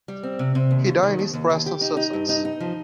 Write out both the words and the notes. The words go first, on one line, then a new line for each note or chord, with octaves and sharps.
He died in East Preston, Sussex.
G3
C4
C3
C3
D#2
D#2
D#3
D#2
D#2
D#2
G4
D#4
D#4
G2
D#4
D#4
F3